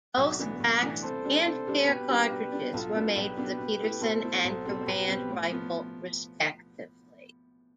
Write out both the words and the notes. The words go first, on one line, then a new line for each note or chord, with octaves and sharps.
Both waxed and bare cartridges were made for the Pedersen and Garand rifle respectively.
B1
A2 E3 B3 D4
B1
A2 E3 B3 D4
C2 A4 C5
C3 G3 D4
C2 A4 C5
C3 G3 D4
B2 G4 B4
G3 D4
B2
G3 D4
B1 F4 A4
B2 B3 D4
B1 G4 B4
B2 B3 D4
B2
A3 E4
B2 A4 C5
A3 E4
B1 A4 C5
B2 G3 C4
B1 G4 B4
B2 G3 C4
A2
F3 B3